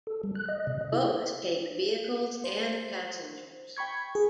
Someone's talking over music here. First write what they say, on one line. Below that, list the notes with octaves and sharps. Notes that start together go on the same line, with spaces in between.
Both take vehicles and passengers.
A4
G3
F#6
D#5
C3
D#5
E4
C5
G5 B5 C#6 G#6
G#4